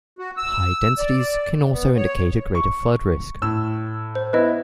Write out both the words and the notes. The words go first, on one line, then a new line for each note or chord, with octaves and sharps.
High densities can also indicate a greater flood risk.
F#4
E6
D5
B3
C#5
C#6
A2 E6
C5
B3 E4 B4 D#5